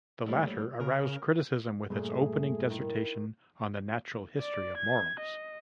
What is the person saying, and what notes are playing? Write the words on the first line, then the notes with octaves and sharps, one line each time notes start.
The latter aroused criticism, with its opening dissertation on the natural history of morals.
A#1 A2 G3
C#3 A#4
G2 A#2 A3 G#4
D#3 E4
D5
G#6
D#5